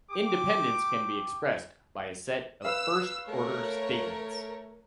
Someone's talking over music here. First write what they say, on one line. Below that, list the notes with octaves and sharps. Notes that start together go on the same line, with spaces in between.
Independence can be expressed by a set of first-order statements.
G4 D6
B4 F5 E6
A3 A#4 C#5